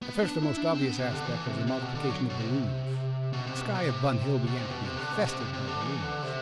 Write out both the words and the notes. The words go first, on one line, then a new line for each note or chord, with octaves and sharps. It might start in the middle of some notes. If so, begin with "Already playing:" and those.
At first the most obvious aspect was the multiplication of balloons. The sky of Bun Hill began to be infested by balloons.
B3
D4
E4
D4
C4
B3
C3
D3
E3
C3
C3
B2
D3
F#3
B2
C3
B2
C3
B2
C3
B2
C3
B2
C3
D3
B2
C3
C3
C3
D3
E3
D3
C3